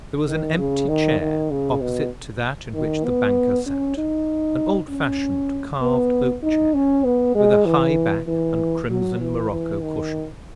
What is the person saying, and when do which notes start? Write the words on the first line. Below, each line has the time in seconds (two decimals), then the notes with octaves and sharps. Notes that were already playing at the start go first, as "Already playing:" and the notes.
There was an empty chair opposite to that in which the banker sat; an old-fashioned, carved oak-chair, with a high back and crimson-morocco cushions.
0.27 D#3
0.58 C#3
0.88 D#3
1.20 D#3
1.51 C#3
1.81 B2
2.74 D#3
3.04 B3
3.66 C#4
3.97 D#4
4.89 C#4
5.82 B3
6.43 D#4
6.74 C#4
7.04 B3
7.35 G#3
7.66 E3
8.28 E3
8.90 F#3
9.20 E3
9.51 E3
9.82 D#3